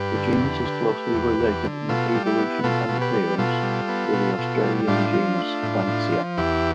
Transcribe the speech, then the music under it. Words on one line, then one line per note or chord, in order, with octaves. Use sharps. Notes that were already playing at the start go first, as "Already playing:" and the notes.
The genus is closely related in evolution and appearance to the Australian genus "Banksia".
Already playing: G2 G4 B4
D3
E2
D3
A3
E2
E2
D3
B2 F4 A4
G3
E4 G4
B3
B2 F4 A4
B2
G4 B4
G3
B2 F4 A4
G3
B3
B2
B2
G3
A2 D4 F4
F3
A3
A2
A2
F3
E2 E4 G4